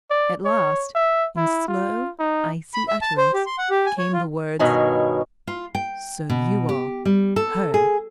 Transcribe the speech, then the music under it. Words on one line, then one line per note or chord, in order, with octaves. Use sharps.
At last, in slow, icy utterance, came the words, "So you are--HER!"
D5
C#5
E5
E4
F4
D#4
B5
E5
A5
C5
G4
C6
F#5
G4
G#5
C#5
F4
G2 B2 D#3 C#5 G#5
F4
G5
B2
G4
G3
A4
G#4